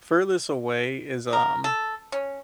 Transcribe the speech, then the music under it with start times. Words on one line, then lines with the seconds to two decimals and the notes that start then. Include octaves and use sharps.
furthest away is, um,
1.33 A#4
1.64 A4
2.12 C#4